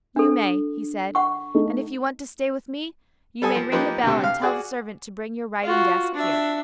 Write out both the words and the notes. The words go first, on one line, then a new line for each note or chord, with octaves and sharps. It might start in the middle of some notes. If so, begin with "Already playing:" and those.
"You may," he said, "and if you want to stay with me, you may ring the bell and tell the servant to bring your writing desk here."
D4 A4
F#5 C#6
A3 D#4
G3 A4 G#5 D#6
F3
F3 A#3 D#4 G4 B4
D2 C3
F5 F6
F#4 G#4 D5
F4 F#4
D4 E5